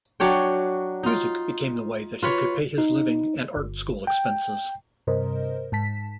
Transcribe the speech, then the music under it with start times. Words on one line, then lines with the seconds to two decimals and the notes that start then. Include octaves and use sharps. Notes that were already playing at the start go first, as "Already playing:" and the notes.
Music became the way that he could pay his living and art school expenses.
0.20 F#3 D4 C#5 G5
1.03 D#4 F4
2.23 F4 B4 C#5
2.78 D#4
3.56 G1
4.07 G5
5.07 G2 C3 A#4 C5 D#5
5.72 G#2 A5 B6